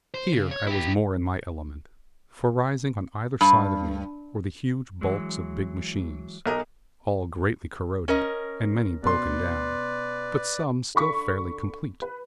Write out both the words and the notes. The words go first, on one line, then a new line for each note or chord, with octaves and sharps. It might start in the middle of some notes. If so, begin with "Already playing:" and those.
Here I was more in my element, for rising on either side of me were the huge bulks of big machines, all greatly corroded and many broken down, but some still fairly complete.
C5
C#3
C#5
E4 G4
G2
E3 F#3 G#3
B1 A#4 D#5
C#4 A#4 D#5
B2 B4 D5 C6
D3 B5 C#6 B6
B4